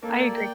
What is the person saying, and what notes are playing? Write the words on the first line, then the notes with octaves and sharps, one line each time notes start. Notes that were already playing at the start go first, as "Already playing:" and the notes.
I agree.
A#3 A4
D5
G5